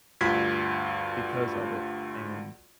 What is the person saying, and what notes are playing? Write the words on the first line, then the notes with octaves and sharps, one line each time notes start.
because of it. And
D2 G2 F4 G#6 B6